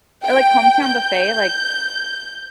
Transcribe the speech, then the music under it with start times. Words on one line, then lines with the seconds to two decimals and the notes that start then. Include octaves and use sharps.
Or, like, Hometown Buffet, like
0.22 G5
0.85 G6